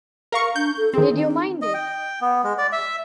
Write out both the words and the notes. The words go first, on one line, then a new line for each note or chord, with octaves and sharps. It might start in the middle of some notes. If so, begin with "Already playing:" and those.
Did you mind it?
A#4 F5 C#6
D4 G6
A4
D#3 C4 G#4
D#4
D#5
G5
B3
G#3
D5
E5